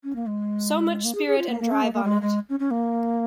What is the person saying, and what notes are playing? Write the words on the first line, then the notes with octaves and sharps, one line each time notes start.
So much spirit and drive on it.
C#4
A#3
G#3
A#3
G#4
G#4
F4
A#3
A#3
C#4
A#3
A#3
G#3
G#3
C#4
C#4
A#3